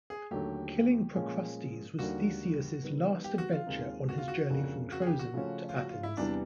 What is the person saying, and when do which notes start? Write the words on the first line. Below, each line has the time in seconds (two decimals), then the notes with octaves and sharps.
Killing Procrustes was Theseus' last adventure on his journey from Troezen to Athens.
0.10 G#4
0.31 D#2 D3 F#3 A3 G4
1.15 A#2 F3 G#3 C#4
1.99 D#2 D3 G3 A#3 F#4
2.82 D#3 G3 B3
3.24 G4
3.38 F#4
3.52 F4
3.66 D#2 D#3 G#3 C4 D#4
4.09 F#4
4.18 F4
4.28 F#4
4.50 F2 C#3 F3 A#3 D4
4.92 F#4
5.02 G#4
5.06 G4
5.19 F#4
5.34 C#3 F3 A3 C#4
5.69 F4
5.76 F#4
5.89 F4
6.03 E4
6.17 E2 C3 E3 G3 D4